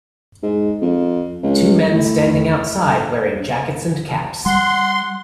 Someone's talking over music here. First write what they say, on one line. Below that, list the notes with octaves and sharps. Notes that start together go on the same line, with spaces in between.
Two men standing outside wearing jackets and caps.
G#2
F2
C#2
A2
G3 F#5 C6